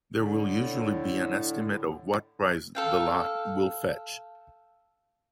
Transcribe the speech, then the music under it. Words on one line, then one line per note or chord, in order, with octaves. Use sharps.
There will usually be an estimate of what price the lot will fetch.
A2 D3
A4 F5 G5